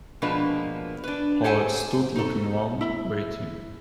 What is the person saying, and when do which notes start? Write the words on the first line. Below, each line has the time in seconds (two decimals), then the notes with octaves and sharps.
Paul stood looking round, waiting.
0.22 B2 F3 G#3 A#3 D4 B4
1.04 D4 B4
1.44 G4 A4 C5 F#5 G#5 A5
2.15 D#4 A4
2.81 E4